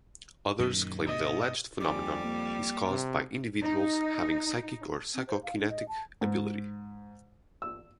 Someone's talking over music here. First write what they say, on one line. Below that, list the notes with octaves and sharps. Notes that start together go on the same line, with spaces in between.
Others claim the alleged phenomenon is caused by individuals having psychic or psychokinetic ability.
F#2 A#2 D#3
G2 B2 D#5
F2 G3 G4 D5 G#5 D6
A#3
C3
D#4
C4
C5
F5
D4
D#5
A5
G#2
E6